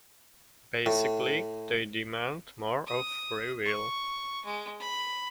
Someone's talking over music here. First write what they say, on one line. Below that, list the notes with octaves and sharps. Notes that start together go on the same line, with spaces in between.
Basically, they demand more of "free will".
A2
D#6
C#6
G#3
B5